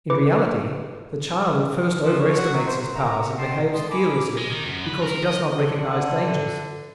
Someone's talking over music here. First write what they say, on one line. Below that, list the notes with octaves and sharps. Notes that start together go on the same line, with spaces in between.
In reality the child at first overestimates his powers and behaves fearlessly because he does not recognize dangers.
E4 B4 D6
F3
C#5
F#4
F#3
C5
A#4 E5 F#5 A#5
C5 D#5 F#5 G5 A5 C6
D3 G#3 D5 A5 C6 D#6
G#5 A#5 B5 D6
G#3
D#3
F#2
B4
A#4
D#5
D3